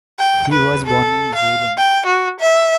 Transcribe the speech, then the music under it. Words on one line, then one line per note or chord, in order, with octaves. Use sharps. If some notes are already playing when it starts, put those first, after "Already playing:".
He was born in Zuilen.
G5
B4
A4
F5
G5
F#4
E5